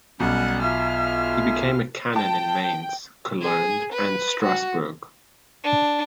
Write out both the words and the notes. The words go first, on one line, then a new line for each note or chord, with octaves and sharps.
He became canon in Mainz, Cologne and Strasbourg.
B1 G3 C#4 F#5
F4 E5 G#5 F6
G5 A5
G#4
B4
F#4
D4